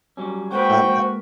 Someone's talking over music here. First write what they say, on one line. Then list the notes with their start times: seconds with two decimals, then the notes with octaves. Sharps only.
Um, uh
0.17 F#3 G3 C#4
0.52 G#3 A#3 F#4 B4 C5 G5